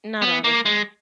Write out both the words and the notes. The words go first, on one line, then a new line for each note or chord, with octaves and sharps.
Not all the time.
B3
A#3
G#3